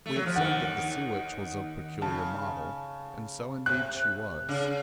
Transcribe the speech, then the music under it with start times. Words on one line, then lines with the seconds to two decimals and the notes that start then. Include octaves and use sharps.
We have said that the "Sea Witch" was of peculiar model, and so indeed she was.
0.06 A3
0.16 F#3
0.26 F3
0.36 D#2 D#3 F#5
2.01 C#3 A5
3.66 C3 F#6
4.49 C#3